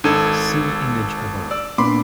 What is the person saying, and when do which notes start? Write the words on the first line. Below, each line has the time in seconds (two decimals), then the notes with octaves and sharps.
See image above.
0.04 G#1 D#4 A4 G#6 D#7
1.51 D5 E6
1.78 A#2 B3 D4 B5 C6 D6